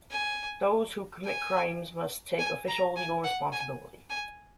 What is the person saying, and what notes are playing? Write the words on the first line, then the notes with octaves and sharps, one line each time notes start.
Those who commit crimes must take official, legal responsibility.
G#5
G#5
G#5
A#5
G#5
F#5
G#5
G#5